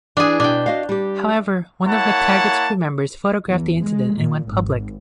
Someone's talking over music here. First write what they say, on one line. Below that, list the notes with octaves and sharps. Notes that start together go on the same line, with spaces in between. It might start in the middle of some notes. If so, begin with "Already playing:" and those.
However, one of McTaggart's crew members photographed the incident and went public.
E3 D4 G#4
B2 D4 G5
F#4 D#5 F5
G3 G4
A#3 E4 C#5 F#5 A5
E2
G#3
A#2
G#1